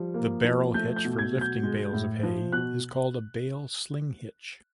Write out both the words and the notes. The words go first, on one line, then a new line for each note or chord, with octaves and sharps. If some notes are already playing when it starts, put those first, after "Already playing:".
The barrel hitch for lifting bales of hay is called a "bale sling hitch".
Already playing: F3 G3
A#3
F3
A3 G6
G6
B2
G#6
F#3
G6
G#3
A2
F3
B2 F#6